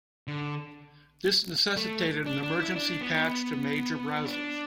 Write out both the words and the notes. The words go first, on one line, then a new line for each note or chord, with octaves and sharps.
This necessitated an emergency patch to major browsers.
D3
A3
D4
D4
E4
D4
B3
D4